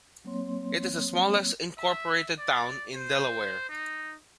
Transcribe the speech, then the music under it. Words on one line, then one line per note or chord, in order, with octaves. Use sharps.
It is the smallest incorporated town in Delaware.
F#3 A#3 C4 C#5 C6
E5
D5
C5
D#4